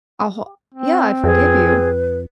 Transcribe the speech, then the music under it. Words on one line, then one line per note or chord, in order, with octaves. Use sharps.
I'll ho yeah, I forgive you,
C4
F2 G#4 B4